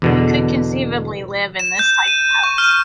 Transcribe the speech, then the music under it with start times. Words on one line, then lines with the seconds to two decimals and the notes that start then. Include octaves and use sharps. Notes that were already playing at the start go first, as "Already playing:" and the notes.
We could conceivably live in this type of house.
0.02 E2 B2 D3
1.59 E7
1.79 G6
2.08 D#7
2.44 C#6
2.58 F6